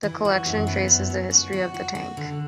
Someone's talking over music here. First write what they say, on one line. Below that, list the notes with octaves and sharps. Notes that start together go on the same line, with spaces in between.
The collection traces the history of the tank.
E3
F#4
F#2
B3
F#2
F#2
F#4
F#4
F#4
F#4
D3